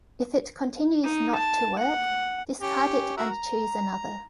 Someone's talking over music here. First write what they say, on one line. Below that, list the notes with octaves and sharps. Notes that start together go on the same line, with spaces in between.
If it continues not to work, discard it and choose another.
D#4
A5
F#5
C#4 G4
F#4 A#4 E5
A#5